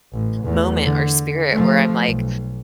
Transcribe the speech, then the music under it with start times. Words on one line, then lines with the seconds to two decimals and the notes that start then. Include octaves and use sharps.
moment, or spirit, where I'm like,
0.12 A1
0.44 E2 A3
0.84 D3
1.51 F3 A3
2.05 B1